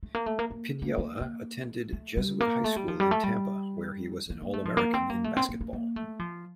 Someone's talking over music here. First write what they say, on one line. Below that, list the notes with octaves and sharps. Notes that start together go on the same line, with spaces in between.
Piniella attended Jesuit High School in Tampa, where he was an All-American in basketball.
A3
A#3
A3
A#3
A#3
A#3
A#3
A#3
A3
G3
A#3
A3
G3
F3
G3
A3
G3
A#3
A#3
A3
F3
A#3
C4
A#3
A3
C4
A#3
A#3
A#3
A3
F3